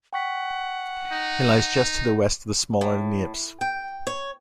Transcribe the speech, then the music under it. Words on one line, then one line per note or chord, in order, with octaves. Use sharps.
It lies just to the west of the smaller Niepce.
F#5 G5 C#6 B6
D#4
A2
G5
C#5